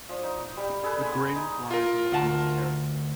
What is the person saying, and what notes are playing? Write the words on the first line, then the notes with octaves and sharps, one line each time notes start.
The grave lies on the lowest terrace.
F3 D4
D#4
G3 G5
D4 G#4 A4 B4
B3 G#5 B5 C6
D#4
F4 A#4
D2 F#5 A5